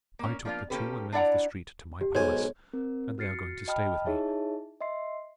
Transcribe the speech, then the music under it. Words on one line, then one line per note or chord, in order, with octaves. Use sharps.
I took the two women of the street to my palace, and they are going to stay with me.
A#3 C#4
F3 A#3 D4 D#4 F4
A#3 C4 C#4 G4 A4 B4
D4 E4 D5 F5 F#5 A#5
G4
B1 G#2 C#5 G#5
C4 A#4
F#4 F6 A6 C7 C#7
D#5 G5 A5 B5 D#6 F6
D#4 E4 G#4 C#5 E5 A5
D#5 E5 C6 C7